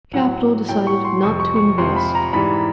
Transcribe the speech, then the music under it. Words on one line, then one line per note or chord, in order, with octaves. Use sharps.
Capital decided not to invest.
A2 F#3 F#5
A2 F#3 G5
C#6
C6
F2 C3 F3 C#6
C#6
C#6
F2 C3 F3 C6
B5
A#5
G#2 E3 G3 B5